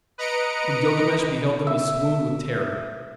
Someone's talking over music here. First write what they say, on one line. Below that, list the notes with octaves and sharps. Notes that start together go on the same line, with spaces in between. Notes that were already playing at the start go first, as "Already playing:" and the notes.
When Gilgamesh beheld them he swooned with terror.
B4 D#5 A#5 C#7 D7
E5